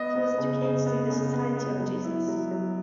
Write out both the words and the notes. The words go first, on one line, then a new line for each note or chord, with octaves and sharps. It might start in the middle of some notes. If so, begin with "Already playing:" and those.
He was educated in the Society of Jesus.
Already playing: B3 D#5
B3
C#3
C#3
B3
C#3
B3
B3
F#3
E4
F#3
F#3